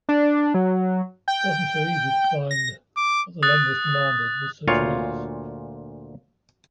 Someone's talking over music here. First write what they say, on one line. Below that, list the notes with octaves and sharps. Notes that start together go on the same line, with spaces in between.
It wasn’t so easy to find what the lenders demanded with such ease.
D4
F#3
G5
A#6
D6
D#6 F#6 A6
D2 A#2 F4 C#5 F5